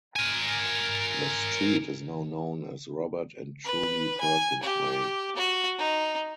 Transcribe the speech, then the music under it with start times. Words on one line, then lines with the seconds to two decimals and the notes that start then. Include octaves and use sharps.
The street is now known as Robert and Trudie Perkins Way.
0.16 A#4 G#5
3.65 B4
4.21 G#5
4.63 G4
5.36 F#4
5.79 D#4